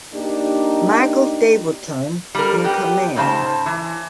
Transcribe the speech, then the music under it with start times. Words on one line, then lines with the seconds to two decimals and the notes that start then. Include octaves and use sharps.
Michael Stapleton in command.
0.13 A#3 D4 D#4 G4
2.35 G3 A#4
2.64 B3 G4
3.16 G#2 C#3 C5 A5
3.66 E3